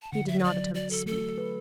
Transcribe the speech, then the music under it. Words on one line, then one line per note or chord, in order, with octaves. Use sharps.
He did not attempt to speak.
A5
D3 F#5
F#3 E5
B4
F#3 D5
D3
F#4 D5
E3 A4
A3 A4
A3
B4